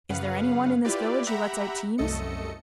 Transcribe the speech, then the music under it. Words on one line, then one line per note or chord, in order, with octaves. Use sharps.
"Is there any one in this village who lets out teams?"
F#2 C#3 B4 F5 F#5
E4 F4 G4 B4 D5
G4 E5 F#5 A#5 B5
C2 F#2 A3 A4 D#5 C#7